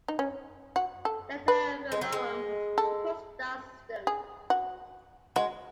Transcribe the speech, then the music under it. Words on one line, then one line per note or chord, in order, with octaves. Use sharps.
Delta Velorum is a triple star system.
D#4
C#4
F#4
A4
B4
G#3
F#3
G#3
A4
G#4
F#4
G#3 F#4